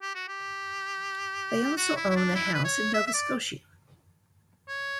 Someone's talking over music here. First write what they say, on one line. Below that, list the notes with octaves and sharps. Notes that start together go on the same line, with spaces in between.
They also own a house in Nova Scotia.
G4
F#4
G4
F#4
E4
E4
D4
E4
B4
C#5
E5
E5
D5
C#5